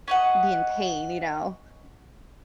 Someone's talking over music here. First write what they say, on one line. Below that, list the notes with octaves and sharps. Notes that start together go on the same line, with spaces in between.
be in pain, you know?
C#4 D#5 F#5